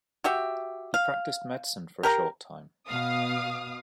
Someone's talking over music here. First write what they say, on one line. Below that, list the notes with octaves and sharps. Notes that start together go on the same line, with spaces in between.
He practised medicine for a short time.
F#4 G4 E5
F5
G4 A#4 F5 A#5
B2 F5 D#6